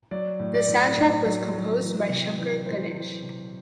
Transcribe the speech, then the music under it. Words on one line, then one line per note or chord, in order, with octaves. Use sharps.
The soundtrack was composed by Shankar–Ganesh.
F#3 D5
A2
D5
A2
A2 D5
F#3
F#3
E3
C3
E3
E3 C5
E3
C3